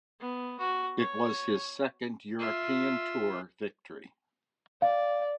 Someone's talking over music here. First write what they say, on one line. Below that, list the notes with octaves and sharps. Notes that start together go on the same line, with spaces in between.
It was his second European Tour victory.
B3
F#4
C#5
F4 E5
D5 F5